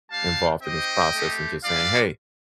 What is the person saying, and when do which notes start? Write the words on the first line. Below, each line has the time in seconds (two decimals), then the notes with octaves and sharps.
involved in this process, and just saying, "Hey,
0.10 G3 D4 G4 F5 A5
0.62 C4 D#4 G4 D#5 G5
1.13 A3 C4 G4
1.63 G3 D4 F4 D5 F5